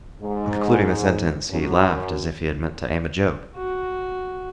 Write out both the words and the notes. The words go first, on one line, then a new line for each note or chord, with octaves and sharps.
On concluding the sentence he laughed as if he had meant to aim a joke.
G#2
F#2
F#4